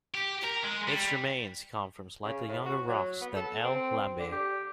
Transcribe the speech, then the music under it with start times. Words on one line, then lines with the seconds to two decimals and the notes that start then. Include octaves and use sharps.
Its remains come from slightly younger rocks than "L. lambei".
0.15 G4
0.44 A#4
0.64 G#3
0.88 G3
2.24 C#3
2.49 A2
2.65 F#4
2.89 F#3
3.21 B3
3.36 A4
3.64 C4
4.19 D3
4.32 G4